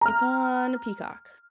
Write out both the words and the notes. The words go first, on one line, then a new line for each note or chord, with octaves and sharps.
It's on Peacock,
A#5 F6